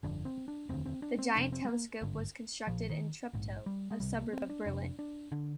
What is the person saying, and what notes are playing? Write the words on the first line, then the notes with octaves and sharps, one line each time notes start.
The giant telescope was constructed in Treptow, a suburb of Berlin.
G1 F2 D3 D4
C4
D4
F1 D#2 D3 C4
C4
D4
C4
F1 F2 C3 D4
C4
G#3
A#3
G#1 G2 D3
A#1 A#2 F3
D#3
A#1 G#2
G3
G#3
C2 C3 G3
A#3
C4
D4
F1 F2 C3 D4
D4
D3 D4